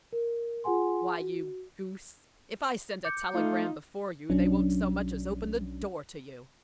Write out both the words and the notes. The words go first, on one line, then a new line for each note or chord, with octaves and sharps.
Why, you goose, if I send a telegram before you, they won't so much as open the door to you!
A#4
F4 G#4 F#5 G#5 C6
F#4
D6 G6 C#7
A3 D#4 F4
B1 F#3 C#4 D4